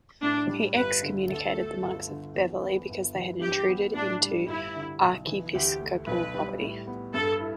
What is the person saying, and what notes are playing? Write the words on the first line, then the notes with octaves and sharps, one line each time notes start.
He excommunicated the monks of Beverley because they had intruded into archiepiscopal property.
A2 D4
G3
G1 B4
D3
D2 A4
A3
G1
D3
E2
B3
G1
E3
G2 G4
B3
A2 D4
G3
G1 E4
D3
B1
E3
D2 G4
A3
B1 B4
G3
A2
B3
G2 A4
E4